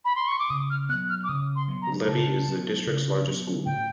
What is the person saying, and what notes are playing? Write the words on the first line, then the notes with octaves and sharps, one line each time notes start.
Glebe is the district's largest school.
B5
C6
C#6
D6
C#3 D#6
F6
F#3 B3 F#6
F6
D6
C#3 D#6
C6
F#3 B3
A#5
C#3 A5
F#3 B3
C#3
F#3 B3
A2 G5